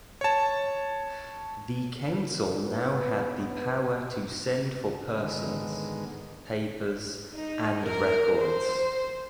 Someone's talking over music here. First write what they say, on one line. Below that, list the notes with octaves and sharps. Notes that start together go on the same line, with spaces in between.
The Council now had the "power to send for persons, papers, and records".
C#5 A5
B3
G#2 D3 D#3 G#3 B3
D#4
A#4
C5